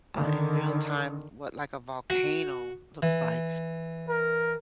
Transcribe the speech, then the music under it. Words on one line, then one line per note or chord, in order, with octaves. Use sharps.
uh, in real time what, like, a volcano looks like.
D3 D#3
F#4
E3
A#4